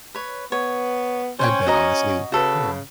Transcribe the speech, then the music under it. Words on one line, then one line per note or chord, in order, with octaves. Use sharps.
I bet, honestly. Yeah.
B4 C#5
B3 C#5
C#4 C5 C#5 G5
F#4 D#5 A#5
C#3 F#4 A4 B4